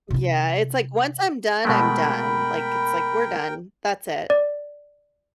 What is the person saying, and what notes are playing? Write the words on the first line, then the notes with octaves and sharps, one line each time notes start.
Yeah, it's like once I'm done, I'm done, like, it's like, "We're done, that's it.
C3 E4
B2 G#3 A3 A#4 G5 B5
D5